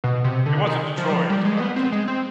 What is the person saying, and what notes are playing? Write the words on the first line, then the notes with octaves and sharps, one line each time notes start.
It wasn't Detroit, it was another team.
B2
C3
D3
D#3
F3
G3
F3
G3
G#3
G#3
B3
C4
G#3
C4